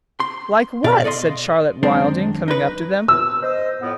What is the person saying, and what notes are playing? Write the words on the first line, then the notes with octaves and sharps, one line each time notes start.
"Like what?" said Charlotte Wilding, coming up to them.
C6
B2 D5 F5
A4 D5 D#5 F5 C6
F#2 D#3 G#3 C4 D4
D#4 B4
E6
C5 D#5
F2 A2 B3